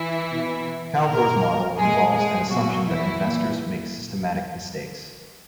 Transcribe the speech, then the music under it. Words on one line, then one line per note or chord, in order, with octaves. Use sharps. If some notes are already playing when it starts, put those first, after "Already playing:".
Kaldor's model involves an assumption that investors make systematic mistakes.
Already playing: E3 E4
B2
A#2 A#3 A#4
A#2 G#3 G#4
G#3 G#4
B2 F#3 F#4
E3 E4
A#2